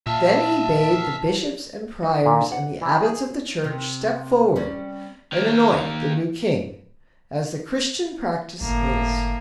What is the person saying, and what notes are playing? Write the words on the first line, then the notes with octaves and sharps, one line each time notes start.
Then he bade the bishops and priors and the abbots of the Church step forward and anoint the new King, as the Christian practice is.
A#2 E5 F5 A5
D#4
A#2
F#5
E3
G#4
C3
G3 C#4
D#3 A#3
G1 A2 A#3